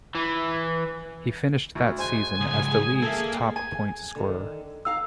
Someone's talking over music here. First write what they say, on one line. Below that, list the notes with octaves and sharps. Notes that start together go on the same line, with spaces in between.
He finished that season as the League's top point scorer.
E3
D2
G#3 A3 B3 C5 G#5
C#2 G#2 F#3 D#6
G#4
A#3 A4 E5
G#5
D3 D#3
D#4 F5 A#5 E6